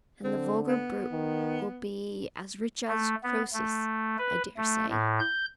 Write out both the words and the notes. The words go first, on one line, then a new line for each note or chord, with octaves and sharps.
And the vulgar brute will be as rich as Croesus, I dare say.'
D3 C4
B3
D#3
A3
B3
A3
B4
A3
A2
G6